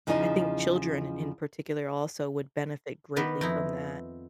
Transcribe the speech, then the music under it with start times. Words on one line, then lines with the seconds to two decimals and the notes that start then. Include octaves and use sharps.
I think children in particular also would benefit greatly from that,
0.07 E2 C#3 F3 D#4 F#4 D#5
3.16 D#3 B3 B4 D5 B5
3.41 F2 D#4 E4